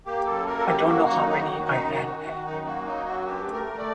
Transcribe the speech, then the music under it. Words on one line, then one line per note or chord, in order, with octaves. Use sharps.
I don't know how many I had had.
A#3 G4
F#2 A4
A#3 A#4
A4
F#2 G4
A#3 F#4
F#2 F#4
D#4
D#3 D#4
F#4
F#2
F#2 D#4
D#3
F#4
D#3
F#4
D#3
F#2 D#4
A#3 F#4
F#3 D#4
F#2 F#4
G2 G4
A3
A#4
A3
D5